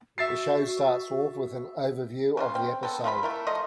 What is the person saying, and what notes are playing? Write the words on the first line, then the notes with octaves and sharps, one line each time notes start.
The show starts off with an overview of the episode.
F#4 E5 A6 C7
C#3 E3 F4
C4
B3 C4 A4
F3 F4 F#4 B5
A3 E4 A#4
F3 A3 F4 D#5